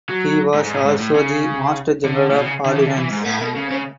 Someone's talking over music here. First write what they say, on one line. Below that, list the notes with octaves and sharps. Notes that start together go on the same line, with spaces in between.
He was also the Master general of ordinances.
F#3
G#2
G#2
A2
G#2
A2
C#3
D3
A2
B2
C#3
D3
E3
D3
E3
G#2
A2
B2
C#3
C#3